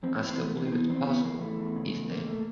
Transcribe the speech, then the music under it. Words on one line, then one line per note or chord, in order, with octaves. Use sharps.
"I still believe it's possible," he said.
E2 C4
C#4
E3
C4
E2 A3
E3 A#3
C4
E3 B3
E2 C4
E3 B3
E2 A#3
E3 A3
E2
C#3
E2
A3 A#3
A3